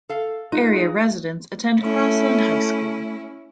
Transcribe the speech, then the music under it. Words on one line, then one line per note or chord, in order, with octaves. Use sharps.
Area residents attend Crossland High School.
A4 F5
D#4 F4
F4 G#4
A3 C#4 E4